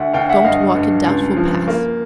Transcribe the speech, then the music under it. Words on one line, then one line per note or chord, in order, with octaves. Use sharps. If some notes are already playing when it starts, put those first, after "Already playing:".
Don't walk in doubtful paths.
Already playing: D2 E5 F#5
D2 F5 G5
E5 F#5
G2 D#5 F5
G2
C#2
F3
A#3